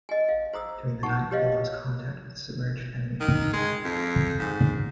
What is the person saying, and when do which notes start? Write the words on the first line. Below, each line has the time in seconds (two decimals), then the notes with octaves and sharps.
During the night, they lost contact with the submerged enemy.
0.09 D#5 G#5
0.29 F5
0.53 C5 A#5 D#6 E6
1.03 D#4 F#5 A5 C#6
1.31 G4 B4 C#5 D#5 F5
3.20 D#3
3.53 G#3
3.84 F2
4.39 G#2